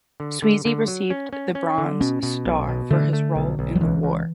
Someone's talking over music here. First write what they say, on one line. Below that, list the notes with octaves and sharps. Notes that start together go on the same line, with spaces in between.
Sweezy received the bronze star for his role in the war.
D3
D3
D3
F#3
C#4
C#4
C#4
D3
B2 C#4
B2
B1
B2
D3 A3
A3
B1
B1
F#3
C#2 E3
C#2